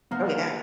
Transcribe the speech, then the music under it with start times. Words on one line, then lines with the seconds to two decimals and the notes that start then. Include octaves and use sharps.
Oh, yeah.
0.11 A#3 B3